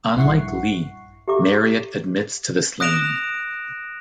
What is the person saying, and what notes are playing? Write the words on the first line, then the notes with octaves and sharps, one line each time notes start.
Unlike Lee, Marriott admits to the slaying.
A#1 G2 E4 F#5 C#6 C7
G4 A4 E5 A#5 D6
D#6 F#6 A#6 D7 E7 F7